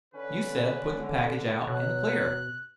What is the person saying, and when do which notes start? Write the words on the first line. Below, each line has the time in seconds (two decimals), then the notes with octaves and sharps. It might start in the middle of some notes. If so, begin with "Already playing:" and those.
You said, put the package out in the clear.
0.14 D3 C#4 B4
1.67 B2 F#3 F#6